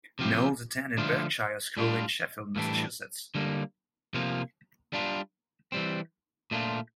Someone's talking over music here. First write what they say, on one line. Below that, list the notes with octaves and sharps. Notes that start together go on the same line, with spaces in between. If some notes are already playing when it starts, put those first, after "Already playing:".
Knowles attended Berkshire School in Sheffield, Massachusetts.
C3 F3 C4 G4
D3 F3 A3 D4 F4
A2 G3 D4 F4
A2 E3 G3 D4
D3 G3 A#3
C3 F3 A#3 F4
G3 D4 F4
E3 G3 C4
A#2 A3 D4 F4